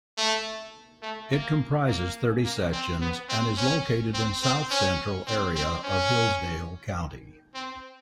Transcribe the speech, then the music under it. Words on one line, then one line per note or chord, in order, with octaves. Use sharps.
It comprises thirty sections and is located in south-central area of Hillsdale County.
A3
A3
A#3
A#3
A#3
C4
B3
C4
C#4
C4
C4
C#4
C4
C4
C#4
C4